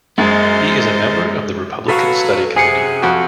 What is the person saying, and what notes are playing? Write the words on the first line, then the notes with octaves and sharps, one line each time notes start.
He is a member of the Republican Study Committee.
F#2 G#3 C5 D#5 A6
F#3 F#4 A4 B4 F5
F#2 C3 G#4 F#5 G#5 C7 C#7
F2 F#4